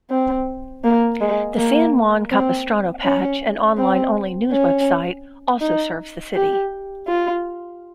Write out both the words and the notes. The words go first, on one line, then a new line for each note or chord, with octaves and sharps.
"The San Juan Capistrano Patch", an online only news website, also serves the city.
C4
A#3
G#3
A#3
C4
C#4
C4
C#4
D#4
G4
F4